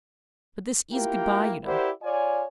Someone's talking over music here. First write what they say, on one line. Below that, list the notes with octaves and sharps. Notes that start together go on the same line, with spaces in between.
But this IS good-bye, you know.
A#3 E4 F4 G4 A#4 G5
E4 G4 A#4 C5 D5 F#5
F4 C#5 D5 G#5